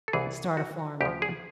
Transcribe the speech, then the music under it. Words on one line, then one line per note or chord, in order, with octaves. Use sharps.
Start a farm.
A4
C2 C3 E3 G#4
F#4
D2 C#3 F3 G4
G#4